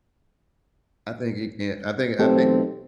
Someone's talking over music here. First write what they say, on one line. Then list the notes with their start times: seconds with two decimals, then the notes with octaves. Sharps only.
I think it can I think I think,
2.19 B1 E2 A3 C4 G4 A4